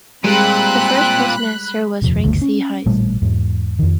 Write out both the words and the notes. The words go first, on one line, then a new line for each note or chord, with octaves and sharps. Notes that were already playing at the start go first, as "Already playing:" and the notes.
The first postmaster was Frank C. Hise.
A#2 G3 G#3 C4 B5 F#6
D#1 F2 C3
F#1 D2 G2 A3
C#4
A1 A#2 G3 A3
E2 G#2
F2 D#3